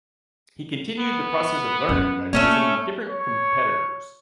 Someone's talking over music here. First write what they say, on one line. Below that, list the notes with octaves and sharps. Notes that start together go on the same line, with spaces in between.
He continued the process of learning by visiting different competitors.
B3
F#2
A3 A#3 C#4 C#5
C#5